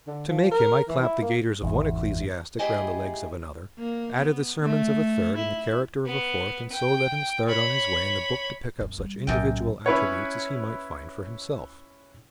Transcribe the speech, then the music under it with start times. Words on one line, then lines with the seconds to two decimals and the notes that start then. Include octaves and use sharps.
To make him I clapped the gaiters of one ecclesiastic round the legs of another, added the sermons of a third and the character of a fourth, and so let him start on his way in the book to pick up such individual attributes as he might find for himself.
0.07 D3
0.28 F3
0.52 A#4
0.89 E3
1.03 E4
1.22 A#3
1.62 G#1 E2
2.59 A3 E4 G4 G#4 D#5
3.78 A#3
4.17 B3
4.63 A3
5.36 E4
6.05 B3
6.72 G5
7.47 C#5 B5
8.81 F#2
8.98 G3
9.27 B1 F#2 A2 G5
9.86 C#4 E4 B4 C#5